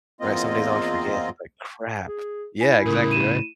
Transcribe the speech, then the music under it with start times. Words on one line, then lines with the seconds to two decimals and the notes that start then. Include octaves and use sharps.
right? Some days I would forget, and be like, "Crap." Yeah, exactly, right?
0.21 E2 A#3 C4 F4 D#5
2.08 G#4
2.61 E4 G#5
2.86 A2 C#3 A#4 D#6
3.11 D#7 E7